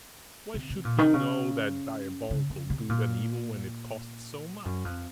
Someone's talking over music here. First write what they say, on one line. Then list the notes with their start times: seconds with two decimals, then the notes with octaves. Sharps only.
Why should he know that diabolical good and evil when it costs so much?
0.54 C3
0.69 C3
0.85 A#2
0.98 D#3
1.14 C#3
2.30 C#3
2.50 C#3
2.70 C3
2.89 A#2
4.65 F#2
4.85 F2